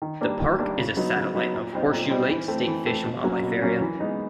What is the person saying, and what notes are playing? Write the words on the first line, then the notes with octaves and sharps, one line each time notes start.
The park is a satellite of Horseshoe Lake State Fish and Wildlife Area.
D#3
G3 A#3 D4
D#3
G3 A#3 D4
C#3
F#3 B3 D#4
C#3
F#3 B3 D#4
A#2
G3 C4 D#4
A#2
G3 C4 D#4
E3
A3 C4
E3
A3 C4
B2
F#3 A#3 C#4
B2
F#3 A#3 C#4
E3
G#3 B3 D#4